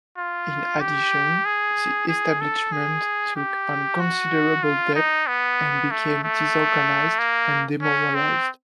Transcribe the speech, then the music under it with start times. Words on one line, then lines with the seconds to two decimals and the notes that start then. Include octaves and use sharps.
In addition, the establishment took on considerable debt and became disorganized and demoralized.
0.17 F4
0.80 G4
1.45 G#4
2.09 G#4
2.41 A4
2.72 G#4
3.36 G4
4.00 F#4
4.63 F4
4.95 D#4
5.27 B3
5.91 A3
6.23 A3
7.19 A#3
7.82 C#4
8.14 C4